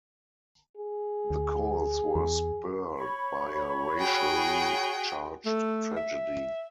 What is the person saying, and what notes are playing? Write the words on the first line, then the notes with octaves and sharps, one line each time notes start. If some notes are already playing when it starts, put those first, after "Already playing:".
The calls were spurred by a racially charged tragedy.
G#4
D2
E2
C#5 B5 C#6
F#4 G#4 G5
A3
E5